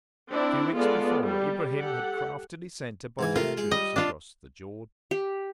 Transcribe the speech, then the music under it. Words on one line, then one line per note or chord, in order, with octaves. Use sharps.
A few weeks before Ibrahim had craftily sent a body of troops across the Jordan.
C4 D4 E4
G#3 B3 F4 A4 D5
G3
G4 A4 F#5
G#2 E3 G#5
C3 A3 F4 A#4
G#3
G3 D#5
D4 F4 A5
G4